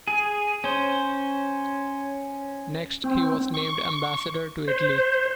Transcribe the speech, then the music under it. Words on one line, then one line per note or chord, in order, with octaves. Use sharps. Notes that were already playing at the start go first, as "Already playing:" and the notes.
Next, he was named ambassador to Italy.
G#4
C#4 C5
C4
C#6
C5